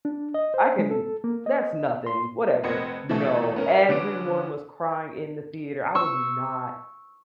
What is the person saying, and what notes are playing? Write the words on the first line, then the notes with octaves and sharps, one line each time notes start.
I can that's nothing, whatever." No, everyone was crying in the theater. I was not,
D4
D#5
C5
G#3
A4
A#3
D#5
C6
F1 B3 C4 D#5 G#6 C#7
B2 E3 A3 A4
B3 C#4 A#4
D3 B3 C#4 D6 D7
C#6 E6